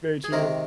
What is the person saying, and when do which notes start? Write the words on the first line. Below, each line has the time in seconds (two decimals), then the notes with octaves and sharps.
Very true.
0.24 G#4
0.32 C3 D#3 G#3 A#4